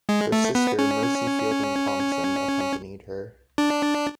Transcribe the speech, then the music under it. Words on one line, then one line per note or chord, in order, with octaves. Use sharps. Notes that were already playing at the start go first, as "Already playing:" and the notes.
Her sister, Mercy Fielding Thompson, accompanied her.
G#3
A3
B3
C#4
D4